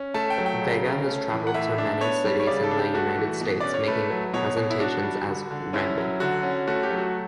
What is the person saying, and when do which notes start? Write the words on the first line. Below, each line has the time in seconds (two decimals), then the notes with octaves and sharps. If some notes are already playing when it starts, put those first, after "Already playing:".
Vega has traveled to many cities in the United States making presentations as "Remi".
Already playing: C#4
0.14 A3 A5
0.30 G5
0.38 F#3
0.46 G5
0.62 C#3
0.85 C#4
1.07 A3
1.32 E3
1.47 F#5
1.54 A2 E5
1.78 D4
2.00 B3 C#5
2.25 G3
2.40 C#5
2.47 C#3 D5
2.63 A4
2.71 D4
2.79 G4
2.94 A3 F#4
3.17 E3
3.41 B2
3.60 C#4 D5
3.74 C#5
3.87 A3 B4
4.10 F#3
4.33 B2 C#5
4.57 B2
4.70 E4
4.80 D4 F#4
5.04 G3
5.27 D3
5.51 D3
5.73 C#4 E4
5.98 F#3
6.20 D3 F#4
6.43 C#4
6.67 A3 F#4
6.83 G4
6.91 F#3
6.98 F#4